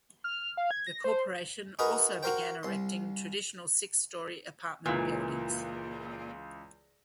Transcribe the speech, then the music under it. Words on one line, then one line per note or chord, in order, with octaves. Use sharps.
The corporation also began erecting traditional six-story apartment buildings.
F6
F5
G#6
A#6
C5
D#4 F#4 G#4 A#4 B4
F#4 A#4 C5 G5
C2 C6
C#2 A#2 E3